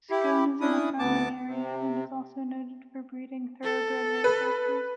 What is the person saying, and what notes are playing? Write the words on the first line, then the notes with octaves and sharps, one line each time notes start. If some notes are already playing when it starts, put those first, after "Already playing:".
Scone is in a farming area and is also noted for breeding Thoroughbred racehorses.
E4 G4
C#4 D4 E4 D#6
D2 B3 A5 D6
C3
A4
B4